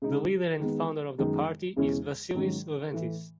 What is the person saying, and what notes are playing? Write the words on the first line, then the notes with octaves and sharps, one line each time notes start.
The leader and founder of the party is Vassilis Leventis.
C#3 G#3 D#4
D#3 G#3 B3
F#2 D#3 G#3 B3 D#4
E2 C#3 G#3 C#4 E4
G#2 D#3 F#3 C#4
A2 E3 A3